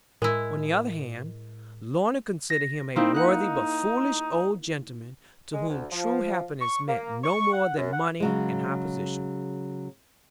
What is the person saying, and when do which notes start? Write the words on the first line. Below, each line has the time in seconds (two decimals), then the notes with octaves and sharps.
On the other hand, Lorna considered him a worthy but foolish old gentleman; to whom true happiness meant no more than money and high position.
0.22 A2 G#3 E4 A#4
2.50 A#6
2.96 A#3 C4 D#4 E4
3.14 D#4 F#5 F#6
5.53 G#3
5.68 D2
5.91 F3
6.61 C#6
6.88 A#3
7.24 C#6
7.52 F#5
7.77 F#2
7.92 F#5
8.20 C#3 F#3 G#3